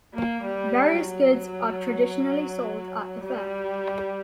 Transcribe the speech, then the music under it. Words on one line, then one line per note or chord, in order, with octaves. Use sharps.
Various goods are traditionally sold at the fair.
A#3
G3
F#3
G3